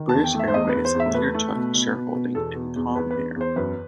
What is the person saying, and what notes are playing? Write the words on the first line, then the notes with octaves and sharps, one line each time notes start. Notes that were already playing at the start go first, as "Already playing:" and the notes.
British Airways later took a shareholding in Comair.
Already playing: D#3
E2 A5
G5
A3
E5
C5
E2 D#5
B4
E2
C5
E2
E5
A3 B4
A3
B2
B2
B2
B2
E2 A4
B2
E2
E2 B4
B4
E2
E2 C5
F#2 B4